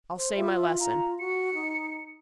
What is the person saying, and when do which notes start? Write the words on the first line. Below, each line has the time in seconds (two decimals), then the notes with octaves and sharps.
I'll say my lesson.
0.17 C5
0.37 F4 E5
0.80 F4 A#5
1.19 F#4 C#7
1.54 D#4